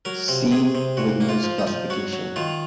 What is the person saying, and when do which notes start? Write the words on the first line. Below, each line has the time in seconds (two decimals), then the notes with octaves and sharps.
See Wigner's classification.
0.05 F#3 A#4
0.28 C3
0.52 C3 G#4
0.75 C3
0.97 A#2 F#4
1.21 A#3
1.29 F4
1.43 F3
1.59 D#4
1.67 F3
1.90 F#3 F#4
2.13 F#3
2.36 D#3 F4